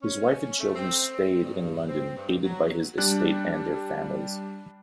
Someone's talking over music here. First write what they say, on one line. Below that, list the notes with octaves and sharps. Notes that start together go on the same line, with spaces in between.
His wife and children stayed in London, aided by his estate and their families.
C#4
A3
C4
G2
C4
G2
F#3
G3 D4 F#6